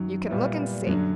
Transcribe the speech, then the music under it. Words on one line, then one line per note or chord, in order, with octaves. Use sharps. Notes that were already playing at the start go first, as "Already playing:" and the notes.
"You can look and see."
Already playing: F#2 D#3 F#3
A#2 G3 B3 E4
F#2 D3 F#3